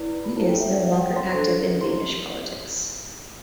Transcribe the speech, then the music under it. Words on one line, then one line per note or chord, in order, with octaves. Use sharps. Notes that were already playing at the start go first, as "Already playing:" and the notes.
He is no longer active in Danish politics.
Already playing: E4 B4 D5
B5
E4 A4 C5 A5
G5
E5
F#5
F#4 C5 F#5
G5
C6
D4 A4 C5
E4 G4 C5 C6